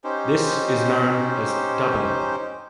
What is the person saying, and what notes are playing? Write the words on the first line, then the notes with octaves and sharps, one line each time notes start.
This is known as "doubling".
C#4 D#4 G4 C5